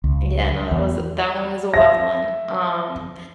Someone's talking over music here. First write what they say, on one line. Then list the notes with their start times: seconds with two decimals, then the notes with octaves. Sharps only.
Yeah, no, that was that one is a wild one. Um,
0.04 C#2
0.71 E2
1.74 E5 A#6